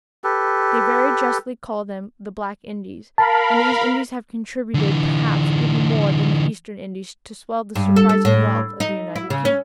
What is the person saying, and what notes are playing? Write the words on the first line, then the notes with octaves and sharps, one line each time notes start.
They very justly call them the "Black Indies," and these Indies have contributed perhaps even more than the Eastern Indies to swell the surprising wealth of the United Kingdom.
G4 A4 B4
A#4 F5 A5 B5
D3 E3
G2
A4
A4
A2
D#4
E4
C#3
C#4